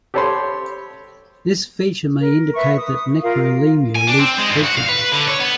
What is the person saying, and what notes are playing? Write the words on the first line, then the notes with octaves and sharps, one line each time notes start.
This feature may indicate that "Necrolemur" leaped frequently.
G4 A4 C5 C#5 B5 C6
A#4
B4 E5 C#6
D#6
F4 A#4 F5
G#5
D4
C4
G#3
G2
F#4
F5
B4
D3
C#5
B3